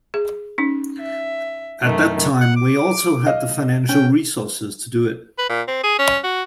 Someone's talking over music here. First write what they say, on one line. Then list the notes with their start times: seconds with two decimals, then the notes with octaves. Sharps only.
At that time we also had the financial resources to do it.
0.14 G#4
0.58 C#4 D#4
0.99 E5
1.83 F#2 D#3 A3
2.41 F#5
2.57 D6
3.26 D#5 F5
3.89 C#4 G5
5.38 B4
5.49 A#2
5.68 C4
5.84 G#4
5.99 C#4
6.24 F#4